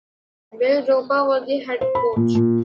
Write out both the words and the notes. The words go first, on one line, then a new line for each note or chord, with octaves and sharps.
Bill Roper was the head coach.
C5
B5
A#2
A#2